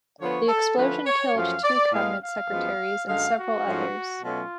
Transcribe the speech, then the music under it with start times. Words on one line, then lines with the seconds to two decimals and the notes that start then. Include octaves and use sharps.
The explosion killed two cabinet secretaries and several others.
0.20 D3 F3 B3 C#5
0.49 A4
0.77 D3 F3 A3 C#4 B4
1.06 C#5
1.35 F#2 F3 A3 C#4 F5
1.64 D5
1.93 A2 G#3 B3 F5
2.21 F5
2.50 F#2 F3 G#3 B3
3.08 F#2 D3 G#3 F5
3.36 F#4
3.65 G#2 F3 A3 C#4
4.23 B2 F#3 A3 C#4 F4